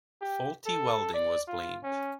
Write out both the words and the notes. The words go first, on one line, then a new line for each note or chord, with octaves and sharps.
Faulty welding was blamed.
G4
A4
D5
F4
C#4